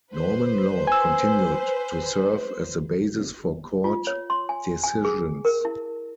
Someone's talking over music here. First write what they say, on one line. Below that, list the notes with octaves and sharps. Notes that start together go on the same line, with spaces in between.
Norman law continued to serve as the basis for court decisions.
B4 C5
G#5 E6
F4
C#5
C6
G#5
G#5
G#4
A#4
E4